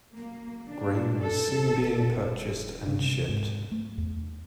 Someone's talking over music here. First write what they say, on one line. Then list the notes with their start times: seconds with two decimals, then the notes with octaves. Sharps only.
Grain was soon being purchased and shipped.
0.15 A#3
0.69 D4
1.22 A4
2.87 C#3
3.04 C3
3.29 G#2
3.72 A3
3.98 E2